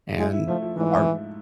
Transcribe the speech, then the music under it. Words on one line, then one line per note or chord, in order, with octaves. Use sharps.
and our
G#3 E4
E4
F3 A3
F3
G#2 E3
E4